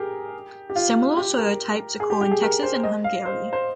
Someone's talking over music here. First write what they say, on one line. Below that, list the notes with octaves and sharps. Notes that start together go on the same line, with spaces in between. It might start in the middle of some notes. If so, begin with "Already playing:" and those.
Similar soil types occur in Texas and Hungary.
Already playing: G4 G#4 A#4
G4
F4
G4
A#4
G#4
G4
G4
G#4
A#4
C5
D#5
F5
C5
C5